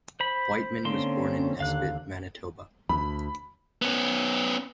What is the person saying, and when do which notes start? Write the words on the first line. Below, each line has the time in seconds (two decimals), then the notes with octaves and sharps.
Wightman was born in Nesbitt, Manitoba.
0.20 C5 B5
0.85 D3 A#3 C4 C#4 C6
1.60 D#2 D3 F5 F#6
2.89 D2 B5
3.82 B3 C#4